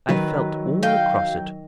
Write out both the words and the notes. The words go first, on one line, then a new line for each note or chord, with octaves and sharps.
I felt all across it.
D#3 F#3 B4
D#5 F5 G5